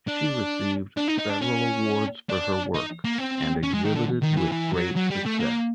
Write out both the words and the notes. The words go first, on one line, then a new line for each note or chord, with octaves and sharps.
She received several awards for her work and exhibited with great success.
D4
D4
D#4
D#4
D4
C#4
D4
D#4
A#3
C4
C#4
G#3
D#3
D3
D#3
E3
E3
F#3
F#3
G3
A3
A#3